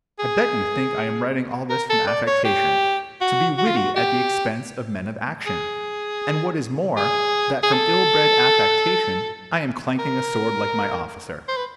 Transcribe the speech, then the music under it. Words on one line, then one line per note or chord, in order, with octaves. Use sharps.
I bet you think I am writing all this from affectation, to be witty at the expense of men of action; and what is more, that from ill-bred affectation, I am clanking a sword like my officer.
G#4
A#4
A4
D5
C#5
G4
F#4
F#4
F4
F#4
G4
G#4
G#4
G#4
A4
A#4
C5
B4